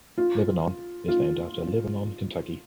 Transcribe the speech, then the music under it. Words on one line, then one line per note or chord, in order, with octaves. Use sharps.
Lebanon is named after Lebanon, Kentucky.
F4
F4